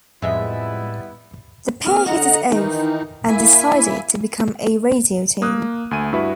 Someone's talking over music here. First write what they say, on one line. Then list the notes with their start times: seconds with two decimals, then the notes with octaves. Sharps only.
The pair hit it off, and decided to become a radio team.
0.22 F2 A2 G3 G#3 B3 E4 E5
1.86 A#3 C4 F6
2.07 D3 D#5 F#5 A#5
2.51 D#3 E3 D#4
3.28 A#3 E4 E5 G#5
5.42 A#3 D#6 F#6
5.91 D2 A3 G#5 D#7
6.13 G2 E4 F#4 B4 E5